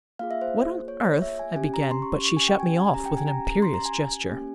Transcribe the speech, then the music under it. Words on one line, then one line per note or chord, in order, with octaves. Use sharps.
"What on earth--" I began, but she shut me off with an imperious gesture.
A#3 F4 G#4 F5
E5
C5
C#5
C#5
E5
G#5
C#4 G4 G#5
A#5
C6
C#6
C#6
G#5
G5
G#5
G#5
C#4 G4 A#5
G5
G#5
A#5
A#5
C6
A#5
G#5
A#3 C#4 G4